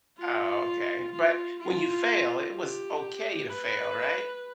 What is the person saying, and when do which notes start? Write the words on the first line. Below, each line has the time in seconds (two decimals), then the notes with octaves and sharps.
Oh, okay, but when you fail, it was okay to fail, right?
0.17 F4
1.12 F4
1.60 F4
2.55 G4
3.50 B4